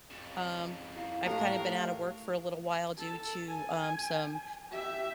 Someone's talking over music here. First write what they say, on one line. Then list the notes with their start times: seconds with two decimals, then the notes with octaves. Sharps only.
Um, I've kind of been out of work for a little while due to, um, some,
0.10 F2 C#3
0.96 E4 F5
1.26 A2 G4 A4 A#4 F5 A5
2.98 A4
3.49 G#5
4.71 G4 E5